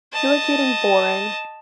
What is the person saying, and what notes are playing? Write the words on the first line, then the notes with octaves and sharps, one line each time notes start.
You're getting boring.
D#5 A5